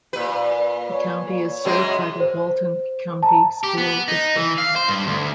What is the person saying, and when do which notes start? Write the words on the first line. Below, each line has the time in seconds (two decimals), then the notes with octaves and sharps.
The county is served by the Walton County School District.
0.13 A#2 B4
0.90 C#5
1.65 F#2 B2 G#3
2.20 C5
3.23 A5 A#5
3.64 G4
3.78 B3
4.08 D#4
4.36 E3
4.58 F5
4.76 C5
4.88 G2
5.07 D2